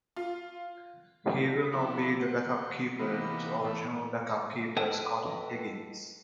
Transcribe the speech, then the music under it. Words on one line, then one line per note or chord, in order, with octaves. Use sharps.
He will now be the back up keeper to original backup keeper Scott Higgins.
F4
D3 F3 B3 E4
C5 F#5
C3 E3 A#3 B3 D#4
A2 E3 A3
A4 B4 D#5 F#5 G5 A5